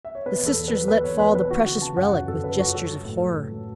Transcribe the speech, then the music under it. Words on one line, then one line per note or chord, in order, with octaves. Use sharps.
The sisters let fall the precious relic with gestures of horror.
E5
C#5
B2 B4
E2 A4
E2
F#3 B4
E2 B4
E2 C#5
E2 B4
B2 B4
E3 F#4
C#3 F#4
C#3 A5
F#2 F#5
F#2 F#4
F#2 A4
C#3 B4
F#2 F#4
F#3 A4
F#3
A2
F#3
A2
F#3